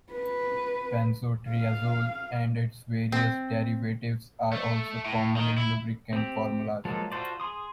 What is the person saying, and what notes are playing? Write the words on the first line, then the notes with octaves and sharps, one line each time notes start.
Benzotriazole and its various derivatives are also common in lubricant formulas.
B4
F5
C4
A3
A2
D#3
E4
C4 G4
F3 F#3 G#3 A#3 A4
F4 F#4 A4 C5 D5
G#4 C6 D#6